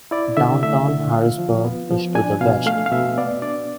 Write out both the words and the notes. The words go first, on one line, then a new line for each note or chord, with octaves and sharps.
Downtown Harrisburg is to the west.
E4 D5
D3 E5
A3 E5
D3
F4 F5
F3
B3
F3
D4 G#5
B2 F5
A3 F5
F5
B2 E5
B3 D5
D4 D5